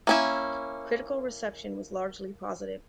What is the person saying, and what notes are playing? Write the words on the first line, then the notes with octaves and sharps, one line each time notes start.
Critical reception was largely positive.
A#3 C#4 E4